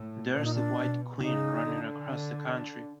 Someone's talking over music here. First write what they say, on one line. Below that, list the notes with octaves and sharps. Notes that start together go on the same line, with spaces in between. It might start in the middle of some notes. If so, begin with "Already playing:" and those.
There’s the White Queen running across the country!
Already playing: A2
A#2 D4
D#4
D4
B2
C#3 D#4
D3
D4